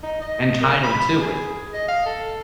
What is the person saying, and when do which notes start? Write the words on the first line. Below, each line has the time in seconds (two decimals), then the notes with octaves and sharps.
entitled to it.
0.03 D#4
0.21 D#5
0.60 A#4
0.83 B5
1.21 G#4
1.74 D#5
1.88 F5
2.06 A4